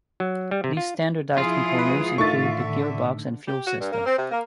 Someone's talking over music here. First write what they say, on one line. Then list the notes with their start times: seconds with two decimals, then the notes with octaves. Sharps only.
These standardised components include the gearbox and fuel system.
0.20 F#3
0.51 G3
0.64 C3
0.77 F4
1.38 F3 E4 F4 G#4
1.77 G#3 B4 D#6
2.18 A2 D3 D#3 A3 E5 C#6 A6
3.48 G4
3.67 F#4
3.81 G2
3.92 A#3
4.06 C4
4.19 C3
4.32 A#3